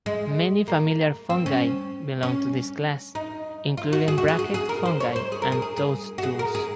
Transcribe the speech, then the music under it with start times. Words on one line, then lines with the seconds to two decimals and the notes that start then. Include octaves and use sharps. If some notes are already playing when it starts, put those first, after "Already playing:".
Many familiar fungi belong to this class, including bracket fungi and toadstools.
0.06 G#3
0.68 A#3
1.30 C4
1.46 C#4
2.23 C#4
3.15 D#4
3.77 F4
3.93 F#4
4.08 G#4
4.18 F#4
4.28 F#4
4.39 G#4
4.54 G#4
4.69 A#4
4.86 C5
5.00 C#5
5.16 C5
5.32 G#4
5.42 A#4
5.52 G#4
5.62 G#4
5.77 G#4
6.18 F#4
6.23 G#4
6.39 A#4
6.55 G#4